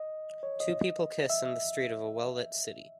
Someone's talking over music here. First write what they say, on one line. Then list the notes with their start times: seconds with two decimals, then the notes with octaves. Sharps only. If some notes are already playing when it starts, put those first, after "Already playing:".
Two people kiss in the street of a welllit city.
Already playing: D#5
0.43 C#5
0.60 D#5
1.30 E5